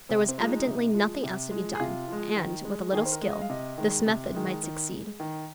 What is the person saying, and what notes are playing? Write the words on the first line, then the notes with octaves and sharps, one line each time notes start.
There was evidently nothing else to be done, and, with a little skill, this method might succeed.
C3 C4
C4
F3 G#3 F4
D#4
C3
F3 G#3
C3
F3 G#3
G#4
C3 F4
F3 G#3
D#3
G#3
D#3 G#4
C5
A#4
G#3
D#5
F5
C3 D#5
D#3 G#3
C3
D#3 G#3
D#3
G#3
D#3